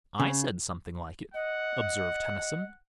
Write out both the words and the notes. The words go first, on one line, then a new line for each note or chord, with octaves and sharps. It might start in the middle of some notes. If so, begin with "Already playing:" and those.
"I said something like it," observed Tennyson.
C#3
D#5 F#5